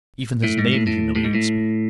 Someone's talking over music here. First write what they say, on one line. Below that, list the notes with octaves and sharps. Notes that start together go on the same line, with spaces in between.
Even his name humiliates me.
A2
G#2
A2
A2
A2
G#2
A2